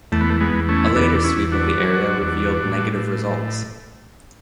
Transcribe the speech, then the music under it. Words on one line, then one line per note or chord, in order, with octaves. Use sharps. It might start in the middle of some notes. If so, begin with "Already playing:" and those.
A later sweep of the area revealed negative results.
E2 A3
B3
A3
G#3 B3
E2
A3 C#4
E4
E2 B3 D4
D4
C#4 E4
E2
D4 F#4
F#3
E2
A2